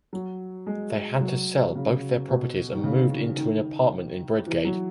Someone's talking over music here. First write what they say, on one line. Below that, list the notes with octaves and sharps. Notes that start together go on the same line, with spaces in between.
They had to sell both their properties and moved into an apartment in Bredgade.
F#3
G#3
F#3
C#3
B2
D#3
C#3
D#3
D#3
E3
F#3